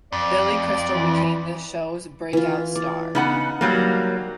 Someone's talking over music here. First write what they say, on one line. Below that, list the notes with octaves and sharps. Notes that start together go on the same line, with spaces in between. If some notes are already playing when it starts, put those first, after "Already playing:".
Billy Crystal became the show's break-out star.
F2 D5
E3
E3 F4
D5
C#3 B3 D#4 F#5
F#3 G3 A#3